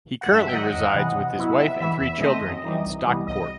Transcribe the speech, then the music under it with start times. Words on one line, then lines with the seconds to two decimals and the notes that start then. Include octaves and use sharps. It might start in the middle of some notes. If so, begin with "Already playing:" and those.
He currently resides with his wife and three children in Stockport.
0.21 F#5
0.32 G2 E5
0.47 G5
0.52 D#3 F#3 D#5 F#5
0.74 E2
0.94 C3 E3
1.15 C3
1.37 F#3 B3 E4
1.58 C3 E5
1.80 E3 B3 E4 E5
2.00 E2 E5
2.21 D#3 A3 C4 D#5
2.43 F#2
2.64 E3 G3 D#4
2.86 C2
3.06 C3 E3 G3 B3
3.27 C2 D#5